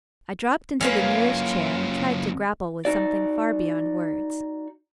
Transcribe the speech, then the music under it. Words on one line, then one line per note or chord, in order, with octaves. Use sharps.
I dropped into the nearest chair and tried to grapple with something far beyond words.
F#2 A#3 C#4 F4 B4
D#4 F#4 D5